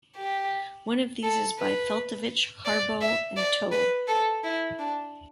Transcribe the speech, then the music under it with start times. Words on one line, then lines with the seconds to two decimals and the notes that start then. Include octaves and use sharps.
One of these is by Feltovich, Harbaugh and To.
0.16 G4
1.23 A4
1.59 B4
2.65 D5
3.01 E5
3.37 D5
3.72 B4
4.08 A4
4.43 E4
4.79 D4